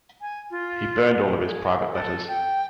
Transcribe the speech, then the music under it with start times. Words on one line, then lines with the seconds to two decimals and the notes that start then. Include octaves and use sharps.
He burned all of his private letters.
0.21 G#5
0.50 F4
1.45 G#4
1.91 A4
2.28 G5